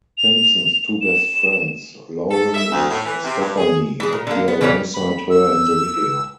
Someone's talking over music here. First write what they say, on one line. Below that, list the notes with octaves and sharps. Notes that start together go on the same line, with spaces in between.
Simpson's two best friends, Lauren and Stephanie, appear alongside her in the video.
F7
E7
A4
E5
D2
A2
E3
C3
G2
G#4
E3 G#4
A#2
D3 A#3
B3
C#3 E3 G3 C#4 B4
B5
E6